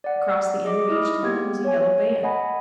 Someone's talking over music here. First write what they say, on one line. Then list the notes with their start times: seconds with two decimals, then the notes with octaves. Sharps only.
Across the end of each tail was a yellow band.
0.04 D5 F#5
0.64 G#4 D#5 D6
0.89 D#4 E4 D#5 D#6 F6
1.23 A#3 B3 G4 G#6
1.65 C#5 G#5
2.23 D#5 F#5 G#5 B5